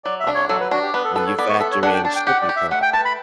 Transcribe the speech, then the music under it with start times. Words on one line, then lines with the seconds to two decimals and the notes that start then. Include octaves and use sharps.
um, when you factor in shipping costs
0.04 F#3 D5
0.20 E5
0.27 D4
0.35 C#5
0.49 F#3 A4
0.61 B4
0.71 D4 F#4
0.82 G4
0.94 B3 B4
1.04 A4
1.16 A4 B4
1.26 C#5
1.38 B3 D5
1.49 C#6
1.60 A4 E5
1.71 C#5
1.83 D4 F#5
1.94 G5
2.05 D4 A5
2.16 G5
2.27 G4 F#5
2.42 D5
2.49 G4
2.56 E5
2.71 A3 F#5
2.82 G5
2.93 B4 A5
3.05 B5